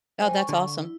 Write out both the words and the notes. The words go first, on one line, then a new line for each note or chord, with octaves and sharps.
Oh, that's awesome.
G3 C5 G#5
C#6
D3
E4